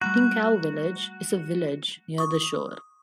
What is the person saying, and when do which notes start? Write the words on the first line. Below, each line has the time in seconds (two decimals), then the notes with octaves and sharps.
Ting Kau Village is a village near the shore.
0.01 G3 A3 F#4 A#5
2.18 C#6 D#6